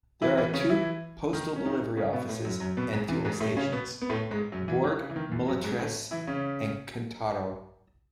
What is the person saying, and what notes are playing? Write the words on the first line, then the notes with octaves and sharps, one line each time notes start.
There are two Postal Delivery Offices and Fuel Stations; Bourg Mulatresse and Cantaro.
E3 E4
E3 E4
C#3 C#4
E3 E4
D#3 D#4
C#4
D#3 D#4
C#3 C#4
B2 B3
A2 A3
F#2 F#3
F#2 F#3
B2 B3
G#2 G#3
E2 E3
G#2 G#3
A2 A3
C#3 C#4
B2 B3
B3
A2 A3
G#2 G#3
F#2 F#3
E2 E3
D#3
C#3
E3
D#3
E2 E3
F#2 F#3
G#2 G#3
A2 A3
E3 E4
C#3 C#4